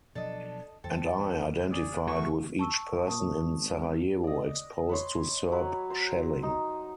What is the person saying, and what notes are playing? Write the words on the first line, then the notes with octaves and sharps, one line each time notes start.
And I identified with each person in Sarajevo exposed to Serb shelling.
B2 F3 F#3 D4 A4 D#5
E2 E3 G3 C4 A4
G#4 D5
E3 A3 F#4 C#6
A5 C#6 E6
A#2 A5 C#6 D#6
G#1
D5 D#5
B4 C#5 C6
F#3 B4
C5 A#5
D#4